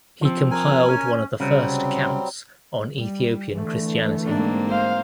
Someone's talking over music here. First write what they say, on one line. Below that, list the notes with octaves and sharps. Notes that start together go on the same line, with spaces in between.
He compiled one of the first accounts on Ethiopian Christianity.
F3 C4
A#4 G#5
C#4
C2 C#3 F#3 G3 C4
G3
D3 E3 A3
G#2 A#3 C4 D4
C5 F5